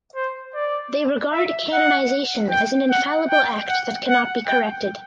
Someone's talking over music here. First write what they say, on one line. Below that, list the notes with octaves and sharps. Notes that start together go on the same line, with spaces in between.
They regard canonization as an infallible act that cannot be corrected.
C5
D5
E5
F#5
G5
F#5
G5
F#5
F#5
G5